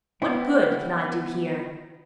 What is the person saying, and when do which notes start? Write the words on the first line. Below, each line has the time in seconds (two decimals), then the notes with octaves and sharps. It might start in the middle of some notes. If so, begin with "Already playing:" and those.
What good can I do here?
0.22 B3 C4 E4